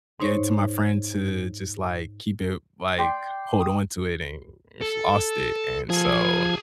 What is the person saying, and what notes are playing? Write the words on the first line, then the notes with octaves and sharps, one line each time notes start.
gave it to my friend to just, like, keep it like, hold on to it and just lost it." And so
G#2 D#4 C5 C#5 C#6
D5 G5 C6
D#6
A4
F3 G#4 A4 G#6